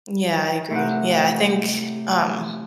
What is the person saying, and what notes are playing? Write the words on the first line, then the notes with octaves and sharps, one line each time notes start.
yeah, I agree, yeah, I think, um
A2 C3 F#5